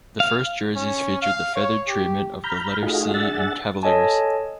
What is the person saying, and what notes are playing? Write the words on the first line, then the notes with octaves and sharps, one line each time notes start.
The first jerseys featured the feathered treatment of the letter C in Cavaliers.
F5
C#4
F5
C#5
G4
A#5 B5 F6 G6
A3 D#4 F4 F#4 G#4
D4 G#4 E5 F#5 A6
A4 C#5 D#5 G#5 A5